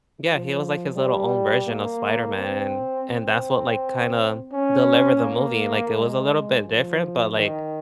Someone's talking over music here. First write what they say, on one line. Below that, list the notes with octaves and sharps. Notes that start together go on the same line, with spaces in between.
Yeah, he was like his little own version of Spider-Man and and that's what, like, kinda delivered the movie, like, it was a little bit different, but, like,
F3
G3
A#3
C4
C4
C#4
A#3
G#3
F3
D#3